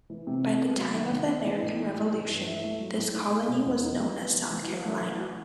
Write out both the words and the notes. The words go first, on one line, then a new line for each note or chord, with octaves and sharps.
By the time of the American Revolution, this colony was known as South Carolina.
E3
C3
C3
B3
F#3
D#3
D#3
C4
E3
A2
D#4
G3
E3
G2
E4
A3
F#3
A2
D#4
A3
B2
E2
D#4
G3
B3
E3
E3
F#4
A3
E3
F#4